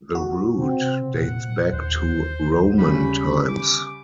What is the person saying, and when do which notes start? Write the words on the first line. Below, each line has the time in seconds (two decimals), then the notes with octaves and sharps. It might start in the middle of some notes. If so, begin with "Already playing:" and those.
The route dates back to Roman times.
0.15 F#4
0.58 C3 C4
1.15 A#2 F#5
1.73 D#2 C5
2.79 C#3 G3 B5
3.48 D6